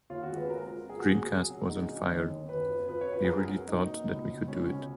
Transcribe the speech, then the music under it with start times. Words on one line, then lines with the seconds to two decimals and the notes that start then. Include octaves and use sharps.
Dreamcast was on fire - we really thought that we could do it.
0.10 D#2 F4
0.23 F#4
0.30 G#3
0.36 B4
0.49 F3 A#4
0.70 F3
0.89 F#3 G#4
0.99 F#4
1.09 A#2 G#4
1.29 A#2
1.50 F#3
1.69 G#3 D#4
1.89 D#3
2.09 D#2
2.29 D#2
2.49 F#2 B4
2.69 F3
2.88 F3 B4
3.01 C#5
3.08 F#2 B4
3.24 G#4
3.29 F#3 A#4
3.49 F#3
3.68 F#3 D#4
3.89 A#2
4.08 C#2
4.28 B2
4.48 C#2 C#4
4.68 C#2